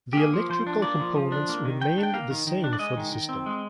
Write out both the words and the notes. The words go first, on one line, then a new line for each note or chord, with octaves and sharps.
The electrical components remained the same for the system.
G4
A#3 G#4
F3
F3 C5
D4
A#3 D5
F3
F3
D4
A#3
D#3
D#3 G5
D4
G5
A#3 F5
D#3
D#3
D4
D5
G#3 D#5
D#3
D#3
C4
G#3